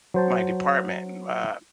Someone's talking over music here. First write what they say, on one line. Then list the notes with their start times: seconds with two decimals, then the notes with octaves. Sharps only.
my department, uh
0.14 F#3 C5 A5